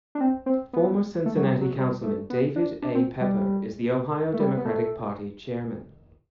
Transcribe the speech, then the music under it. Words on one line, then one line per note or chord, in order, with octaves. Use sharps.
Former Cincinnati councilman David A. Pepper is the Ohio Democratic Party chairman.
D4
C4
C4
B3
A3
F#3
G3
F#3
G3
A3
B3
D4
D4
C4
G3
A3
G3
B3
A3